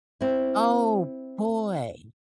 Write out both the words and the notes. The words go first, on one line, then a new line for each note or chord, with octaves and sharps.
Oh, boy.
C4 E4